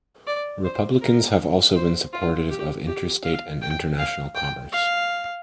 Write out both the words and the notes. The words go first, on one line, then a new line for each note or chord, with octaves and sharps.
Republicans have also been supportive of interstate and international commerce.
D5
C5
A#4
C5
F4
G4
G4
F5
G5
F5
G5
F5